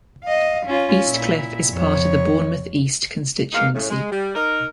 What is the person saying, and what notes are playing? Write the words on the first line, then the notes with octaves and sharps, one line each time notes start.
East Cliff is part of the Bournemouth East constituency.
D#5 F5
C#4 F4
A#2 E4
F2 C#5
E2 A#3 D#4 F5
A2 C#3
G#3
G3
D#4 A#4